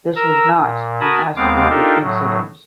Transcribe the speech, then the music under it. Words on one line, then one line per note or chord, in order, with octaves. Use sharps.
This was not an isolated incident.
A#4 A#5 E6
A#2
F#4 A#4 G#5 A5 B5 D#6
D#2 G#3 B3 C4 F5 D6
D4 D#4 F4 G4 A4 A#4
A2 F#3